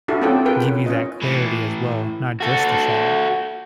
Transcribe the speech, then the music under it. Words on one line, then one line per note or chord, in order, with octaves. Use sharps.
give you that clarity as well, not just the shower.
D4 E4 F#4 A4
C4 C#4 F4 A4 D5 G5
F4 G#4 A#4 B4 G5
C#4
C#4 F4 D#5
A2 E3
F#4 A4